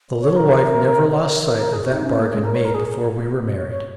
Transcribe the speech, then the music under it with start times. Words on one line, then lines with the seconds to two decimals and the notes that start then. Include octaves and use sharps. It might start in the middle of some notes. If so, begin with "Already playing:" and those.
The little wife never lost sight of that bargain made before we were married.
0.21 C#5
0.36 A#4
1.12 C#5
1.28 A#4
1.42 A#4
1.58 A#4
1.73 G#4
1.84 F#4
1.93 D#4
2.04 C#4
2.18 A#3
2.34 G#3
2.44 A#4
2.55 C#5
2.65 A#4
2.74 G#4
3.56 C#5
3.70 C#5